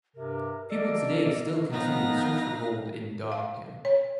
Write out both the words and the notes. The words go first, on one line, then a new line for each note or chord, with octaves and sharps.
People today still continue to search for gold in Dog Town.
G2 C3 A#4
A#3 A4 D5 D#5
D#3 F3 B3 D#4 B4 F5 A#6
F5
C#5